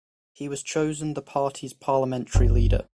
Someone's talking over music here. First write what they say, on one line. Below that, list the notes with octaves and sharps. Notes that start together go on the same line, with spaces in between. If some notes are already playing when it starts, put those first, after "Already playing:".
He was chosen the party's parliamentary leader.
F#1